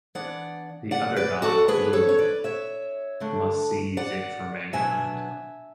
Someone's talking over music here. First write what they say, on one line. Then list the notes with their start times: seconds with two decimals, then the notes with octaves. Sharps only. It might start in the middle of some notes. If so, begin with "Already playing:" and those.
The other god - Lugh - must seize it for mankind.
0.15 E3 B3 D4 D5 F#5
0.91 D5 F#5
1.16 B4 D5
1.42 F#4 A4
1.68 E3 B3 D4 G#4 B4
1.93 A4 C#5
2.09 C#5
2.19 B4 D5
2.44 C#5 E5
3.20 D3 A3 D4
3.97 D5 F#5
4.73 B2 F#3 B3 D4 E5 G#5